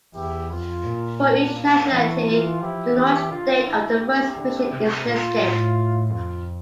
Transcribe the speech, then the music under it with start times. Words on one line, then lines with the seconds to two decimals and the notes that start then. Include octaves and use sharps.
For each nationality, the launch date of the first mission is listed.
0.14 E2 E4 G4
0.50 F2 F4
0.85 A#2
1.19 D4
1.55 A#3
1.90 E3 A3
2.25 F4
2.60 F3 E4 G4
2.95 E3 E4 G4
3.30 D3 F4
3.65 E4
4.01 E4 G4
4.36 D3
4.70 C3
5.06 A#2 F4
5.41 A2
6.11 F2 F4